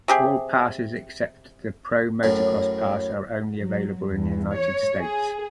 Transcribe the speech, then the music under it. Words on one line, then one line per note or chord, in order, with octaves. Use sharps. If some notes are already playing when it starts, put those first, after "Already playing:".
All passes except the Pro Motocross Pass are only available in the United States.
C3 G4 G#4
F#2 A2
F#3
E2
C#5
G#4